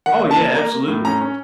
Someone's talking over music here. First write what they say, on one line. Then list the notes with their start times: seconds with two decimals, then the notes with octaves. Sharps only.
Oh, yeah. Absolutely.
0.06 D#3 F#5
0.22 A#3
0.31 A5
0.39 A#3
0.55 A#3 A#5
0.72 A#3
0.88 A2
1.05 C#4 A#5
1.21 C#4